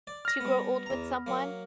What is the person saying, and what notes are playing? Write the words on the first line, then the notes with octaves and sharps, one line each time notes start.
to grow old with someone,
D5
F6 A#6
G3 B3
E2 A#5
F#3 A#3